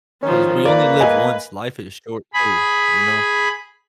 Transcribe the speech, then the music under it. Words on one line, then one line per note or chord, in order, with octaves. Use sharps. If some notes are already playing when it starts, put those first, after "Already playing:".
'Cause we only live once. Life is short too. You know?
D#3 F3 C#4
A#3 B4 D5
D#5 G#5
G#4 B5